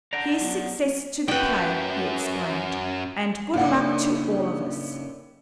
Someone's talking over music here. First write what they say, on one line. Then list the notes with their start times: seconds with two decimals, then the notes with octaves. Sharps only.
"Here's success to the play," he exclaimed, "and good luck to all of us!"
0.13 D4 D5 F#5 G5 A#5
0.41 F#3 B3
1.28 F#2 B4 G5
3.54 F#2 A2 C#3 A#3 D4 D#4 F5 F#5